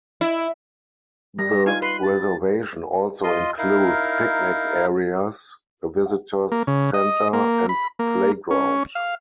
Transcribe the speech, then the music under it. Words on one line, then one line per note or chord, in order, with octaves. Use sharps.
The reservation also includes picnic areas, a visitors center, and playground.
E4
G3 A#6
D#4 F4 G#5
B4 C6
A6
F4 D#5 C6
D#4 E4 A#4 F5
A#3
C#3
D#5
A#3
B5
A#3
C#4
F5